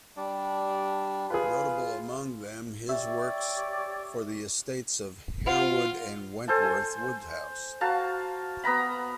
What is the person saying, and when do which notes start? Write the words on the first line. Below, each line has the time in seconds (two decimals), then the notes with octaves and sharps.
Notable among them his works for the estates of Harewood and Wentworth Woodhouse.
0.17 G3 D4 D5
1.30 F4 G#4 B4
2.89 G4 C#5 D5 E5
5.47 F4 C5 F#5 F7
6.47 A4 C5 G#5 A5
6.62 G#5
7.81 F#4 F5 A5 A#5
8.64 B3 B4 A#5 B5